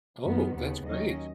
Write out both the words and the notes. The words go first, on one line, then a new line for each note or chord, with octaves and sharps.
Oh, that's great.
F#2 D#3 B3
D#2 C#3 B3
D#2 D#3 F#3 C#4 D#5